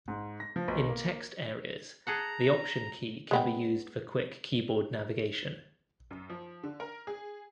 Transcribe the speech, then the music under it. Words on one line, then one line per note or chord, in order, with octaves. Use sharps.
In text areas, the Option key can be used for quick keyboard navigation.
G#2
A#6
F3
B1
A#3
G#4 A4 F#5 A#5
G#3 B3 G5
F#2
F3
D3
A#4
G#4